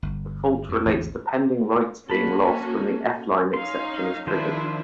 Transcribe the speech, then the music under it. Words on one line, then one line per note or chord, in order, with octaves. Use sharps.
The fault relates to pending writes being lost when the F-line exception is triggered.
G1
F2 A2
A1 E2 G#2 D3
A#3 C#4 F#4 A4 B5
C#4 D#4 F5 C6
D#3 F3 D4 E4 F4 C5